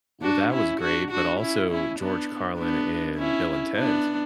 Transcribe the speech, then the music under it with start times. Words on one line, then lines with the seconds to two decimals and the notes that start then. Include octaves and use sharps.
Well, that was great, but also George Carlin in Bill and Ted's.
0.22 D4 F#4
0.52 C#4 E4
0.81 D4 F#4
1.11 D4 F#4
1.40 C#4 E4
1.70 C#4 E4
1.99 B3 D4
2.58 B3 D4
3.17 C#4 E4
3.76 B3 D4